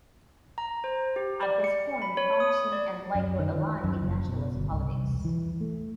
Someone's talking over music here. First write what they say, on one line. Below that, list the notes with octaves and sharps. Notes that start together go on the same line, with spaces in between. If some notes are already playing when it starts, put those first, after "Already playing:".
At this point Thomson and Blake were aligned in nationalist politics.
A#5
C5
G4
D5
C#7
B5
C#5
D#6
D5
F#2
D#3
D#3
F#2
F#1
B2
G1
C2
E1
E3
A3